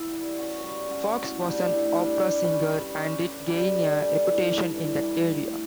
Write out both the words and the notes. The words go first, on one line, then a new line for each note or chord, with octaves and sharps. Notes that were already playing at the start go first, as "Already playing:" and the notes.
Fox was an opera singer and did gain a reputation in that area.
Already playing: E3 B3 E4
G3
C#4 F#4 C#5
G3
C#4 F#4 C#5
A2
G3 D4 G4
A2
G3 D4 G4
G3
C#4 G4 B4
G3
C#4 G4 B4
D3
G3 D4 G4
D3
G3 D4 G4
E3
G3 D4
E3
G3 D4
A2